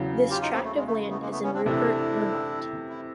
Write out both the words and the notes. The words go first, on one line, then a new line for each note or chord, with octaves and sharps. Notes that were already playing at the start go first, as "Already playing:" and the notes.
This tract of land is in Rupert, Vermont.
Already playing: E2 C#3 F#3
F4 G4
D#4 F4
A#3 C4
A3
G#3
A3
G#3
A3 B3
G#3 A#3
A3 B3
B3 C#4
C4 D4
C3 E3 A3 D4 E4
E4